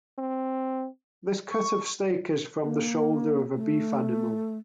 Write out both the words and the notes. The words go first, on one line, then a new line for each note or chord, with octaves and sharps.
This cut of steak is from the shoulder of a beef animal.
C4
C#6
A#3
A3